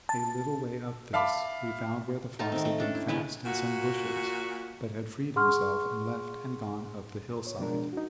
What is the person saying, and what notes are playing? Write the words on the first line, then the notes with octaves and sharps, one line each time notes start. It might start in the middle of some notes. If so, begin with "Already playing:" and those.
A little way up this we found where the fox had been fast in some bushes but had freed himself and left and gone up the hillside.
A5
E5 F5 A5 B5 D6
A3 D#4 F5 A5
D#3 C4
A3
C#4 D4 A4
E4
D3 G#3 E4 B4
A#2 F#4
G#4 F#5 C6 C#6 F6
C#5
B2 F3 G#3 D4 A#4
D#4 F#4